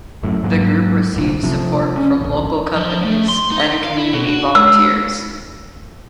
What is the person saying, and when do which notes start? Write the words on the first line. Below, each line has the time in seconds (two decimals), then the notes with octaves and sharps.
The group receives support from local companies and community volunteers.
0.23 F#1 F#2 A2
0.43 G#2 F#3 G3 A#3
1.15 D1 G1 C2 A#2
1.43 C3 F3
1.97 C#4
2.20 D1 A#1
2.76 F3
3.04 A3
3.28 C6
3.52 D#4
3.84 F5
3.98 E4
4.13 B2
4.27 F#4
4.55 E6